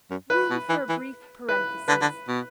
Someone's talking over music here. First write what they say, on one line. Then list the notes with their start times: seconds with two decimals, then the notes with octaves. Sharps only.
Room for a brief parenthesis.
0.10 F#2
0.30 B4
0.50 B2
0.69 E3
0.89 E3
1.49 B4
1.88 D3 B4
2.01 D3
2.28 B2